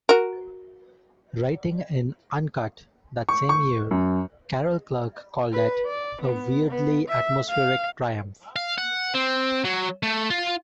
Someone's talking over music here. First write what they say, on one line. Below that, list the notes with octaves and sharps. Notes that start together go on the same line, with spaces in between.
Writing in "Uncut" that same year, Carol Clerk called it "a weirdly atmospheric triumph".
F#4 A#4
C#6
C#6
F#2
B4
D5
B3
B3
E5
F5
F5
F#5
C4
F#3
A3
F4